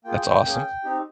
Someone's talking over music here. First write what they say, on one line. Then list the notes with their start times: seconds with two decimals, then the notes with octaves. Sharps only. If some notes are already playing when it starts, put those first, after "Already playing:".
That's awesome.
0.05 A#3 F4 G#4 G5
0.44 A#3 C#4 G#4
0.84 C4 D#4 G4